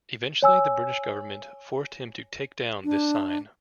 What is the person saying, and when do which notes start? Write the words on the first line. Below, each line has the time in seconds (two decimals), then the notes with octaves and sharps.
Eventually the British government forced him to take down this sign.
0.42 C#5 G#5 E6
2.84 D4